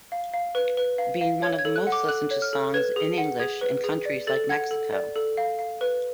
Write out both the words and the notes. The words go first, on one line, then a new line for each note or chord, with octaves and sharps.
Being one of the most listened to songs in English in countries like Mexico.
F5
F5
B4
B4
F5
F5
C#5 G#6
G#6
A4
F#6
F#5
D6
A4 F#6
C#5
F6
A4
B4 G#6
G#4
F#5
G#4 G#6
B4
G#4
D5
A4 A6
F#5 G#6
A4
D5
A4
F5
F5
B4